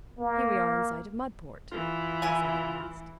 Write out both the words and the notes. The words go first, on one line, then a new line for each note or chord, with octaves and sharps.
"Here we are in sight of Mudport," he said at last.
A#3
E3 F4
A#3 E4 G#5